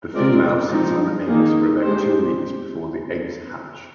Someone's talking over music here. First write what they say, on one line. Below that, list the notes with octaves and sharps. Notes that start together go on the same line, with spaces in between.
The female sits on the eggs for about two weeks before the eggs hatch.
G#3 C4 F4 A#4 D5
F3 G#3 C4 D#4
D#3 A#3 D#4 G#4
G#3 D4 G4 C5